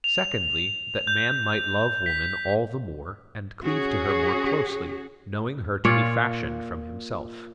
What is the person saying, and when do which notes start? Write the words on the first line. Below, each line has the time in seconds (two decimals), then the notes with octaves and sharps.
Secondly, that man might love woman all the more, and cleave to her more closely, knowing her to be fashioned from himself.
0.04 F7
1.07 G6
2.06 B6
3.62 C#4 F#4 G#4
5.85 A#2 F4 C#5 D5